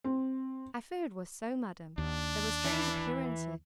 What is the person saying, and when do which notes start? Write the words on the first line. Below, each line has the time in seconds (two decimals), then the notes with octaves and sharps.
'I fear it was so, madam, there were strange appearances.
0.04 C4
1.98 D#2 D4
2.64 E3